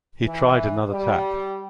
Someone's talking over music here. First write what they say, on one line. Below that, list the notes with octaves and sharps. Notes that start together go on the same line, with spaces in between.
He tried another tack.
E3
G3